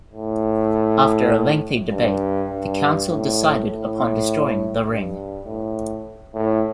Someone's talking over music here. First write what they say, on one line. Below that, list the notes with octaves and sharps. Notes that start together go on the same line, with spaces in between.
After a lengthy debate, the council decided upon destroying the Ring.
A2
G2
G2
A2
A2
G2
A2
A2